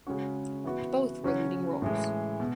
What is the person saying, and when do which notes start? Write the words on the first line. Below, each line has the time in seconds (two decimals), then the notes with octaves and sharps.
Both were leading roles.
0.07 C#3 G#3 C#4 F#4
0.64 E3 B3 F#4
1.23 C#3 F#3 C#4 F#4
1.82 A2 E3 G#3
2.40 B2